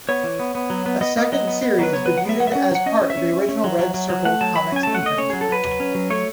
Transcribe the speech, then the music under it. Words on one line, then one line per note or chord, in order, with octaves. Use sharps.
A second series debuted as part of the original Red Circle Comics imprint.
B3 C#5
E3
B3
B3
F#3
B3
B3 D#5
B3 D#5
F#3 D#5
B3
B3
F#3 B4
B3 C#5
F#3 B4
F#5
B3 E5
F#3 F#5
E5
C#4 F#5
F#3 F#5
C#4 D#5
C#4
E5
C#4
C#4
C#4
F#3
F#3
F#3
F#3
A3 F#5
F#3 A5
F#3 B5
C#4 G#5
A3 A5
F#5
A3 D#5
C#4 C#5
F#3 G#4
A4
F#3 B4
F#3
C#4
F#3
A3 C#5